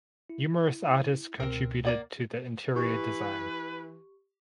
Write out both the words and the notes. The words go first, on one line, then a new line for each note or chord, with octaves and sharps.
Numerous artists contributed to the interior design.
E4
C#2 B2 C4 A#4
A#3 D5 F#5
E3 G4 B4 C#6